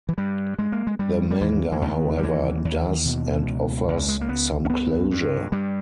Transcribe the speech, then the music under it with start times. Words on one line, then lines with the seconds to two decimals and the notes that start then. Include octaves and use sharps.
The manga, however, does and offers some closure.
0.09 E3
0.18 G2 G3
0.59 G2 G#3
0.72 A#3
0.87 G#3
0.99 G2 G3
1.31 G3
1.41 D#2 E3
1.72 E3
1.82 D#2 D#3
2.18 G3
2.23 D#2 E3
2.65 D#2
3.05 B2
3.47 C#2
3.88 C#2
4.08 G#3
4.21 A#3
4.29 C#2 B3
4.65 C#4
4.70 G2 B3
5.11 G2
5.52 G2 G3